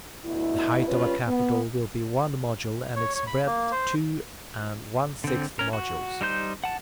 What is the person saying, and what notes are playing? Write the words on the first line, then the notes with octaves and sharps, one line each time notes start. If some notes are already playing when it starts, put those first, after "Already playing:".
The height of a capital will be one module, and its breadth two and one sixth modules.
D2 B2 E4
G2 C#4 F4 B4
B3
C#5
C#5
B5
A#3
C5
D3 C4
C#4 A#4
F#4
G3 D#4 C5 G6
F#5 A5